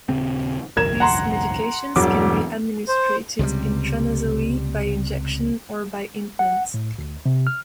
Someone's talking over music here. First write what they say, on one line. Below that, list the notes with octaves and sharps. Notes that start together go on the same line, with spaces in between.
These medications can be administered intranasally, by injection, or by implant.
D#1 C#3 C4
G1 C2 F2 A#4 G#6 E7
F#5 A#5 C6
E1 G2 B2 E3 F#3 D6
C5
C#2 C3 F3 G3
F#5
A2
D2
C3
F6